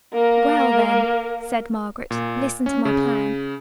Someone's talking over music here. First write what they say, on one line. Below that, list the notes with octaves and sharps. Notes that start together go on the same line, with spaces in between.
'Well then,' said Margaret, 'listen to my plan.
A#3 A#4
A#2
C#4
C#3